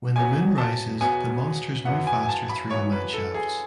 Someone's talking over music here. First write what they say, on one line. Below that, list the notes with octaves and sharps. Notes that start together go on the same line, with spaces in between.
When the moon rises the monsters move faster through the mine shafts.
E2 B2 F#3 B3 G#5
A5
E2 B2 F#3 B3 G#5
F#2 E3 B3 F#5
G#5
G#5
A5
B5
F#2 E3 B3 C#5
B4
A4
G#4